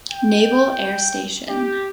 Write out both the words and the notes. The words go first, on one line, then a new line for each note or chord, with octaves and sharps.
Naval Air Station.
G5
G4